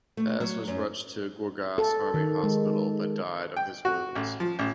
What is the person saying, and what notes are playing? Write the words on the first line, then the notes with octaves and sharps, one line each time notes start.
Paz was rushed to Gorgas Army Hospital but died of his wounds.
A3
F#3
F#2
A4
D#3
G#3
G5
F#4
A1
F3
A1